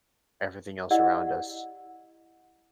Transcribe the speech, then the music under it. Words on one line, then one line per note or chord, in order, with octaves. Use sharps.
everything else around us.
E4 G4 D5 D#5 F#5 E6